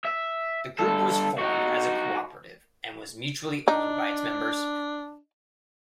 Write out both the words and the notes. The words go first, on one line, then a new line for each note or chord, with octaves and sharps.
The group was formed as a cooperative and was mutually owned by its members.
E5
G2 A4
D#4 F#4
D4 D#4